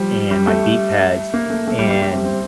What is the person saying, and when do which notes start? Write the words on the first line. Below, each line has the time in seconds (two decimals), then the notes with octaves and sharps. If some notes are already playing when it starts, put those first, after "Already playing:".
and my beat pads, and
Already playing: F3 G3
0.31 G3
0.47 A3
1.34 A#3
1.50 A3
1.68 A3
1.79 G3
1.90 G3
2.02 G3
2.13 C4
2.24 C4